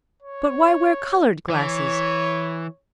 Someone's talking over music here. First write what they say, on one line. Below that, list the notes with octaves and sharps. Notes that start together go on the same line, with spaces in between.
But why wear colored glasses?
C#5
E3 C#5